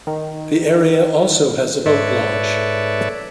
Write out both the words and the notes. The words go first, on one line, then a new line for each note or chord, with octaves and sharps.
The area also has a boat launch.
D#3
G#2 A4 B4 C#5 D5 E5